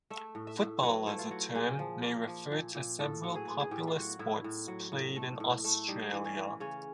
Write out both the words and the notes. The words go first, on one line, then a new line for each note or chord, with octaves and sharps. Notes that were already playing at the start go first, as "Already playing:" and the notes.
Football, as a term, may refer to several popular sports played in Australia.
A3 E5
A2
E5
A2
F#3 B4
A3 E4
F4
F#3
A#2 G#4
F3
A#3
F3
A#2
A#2
A2 A4
F#3
G#4
B3
G#4
A2 G4
F4
F#3 F#4
A2 E4
A2
F#3
A2
A3
A2
A3
G3 D#4
E3
C#4
E3
C#3 C#4